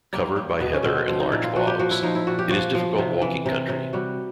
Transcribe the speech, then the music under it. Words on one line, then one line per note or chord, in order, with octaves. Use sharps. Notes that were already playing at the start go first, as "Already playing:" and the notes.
Covered by heather and large bogs, it is difficult walking country.
G3 A#3
G3
B2 B3
C#4
B2 C4
F3 F4
D#4
A#2 E4
F4
F3 F#4
G4
F3 F#4
E4
F3 D#4
E4
A#2 F#4
G4
F3 F#4
F3
C3
E3
C3
C3
G3 F#4